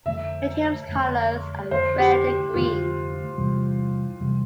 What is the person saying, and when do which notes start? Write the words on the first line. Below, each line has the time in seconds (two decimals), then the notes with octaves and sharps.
The team's colors are red and green.
0.05 F2 D3 A3 E5
0.88 F2 D3 A3
1.71 F2 D3 A3 C5
1.99 G4
2.26 G4
2.54 F2 D3 A3 F4
3.38 E2 C3 G3
4.20 E2 C3 G3